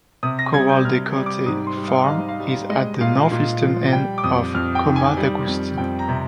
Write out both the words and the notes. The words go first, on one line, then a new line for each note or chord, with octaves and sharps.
Corral de Cotet farm is at the north-eastern end of Coma d'Agustí.
C3 D#6
A#6
G3 G#6
G6
C3 F6
G3
D6
G#2 D#6
C6
G3
F5
D#5
G#2 F5
F5
G3
F5
G#3 D#5
A#2 F5
A#2
F3
G3 G5
D6
F2 D#6
F2 F6
G5
D#3
G#5
G3
F2
F2 G5
A#5
C3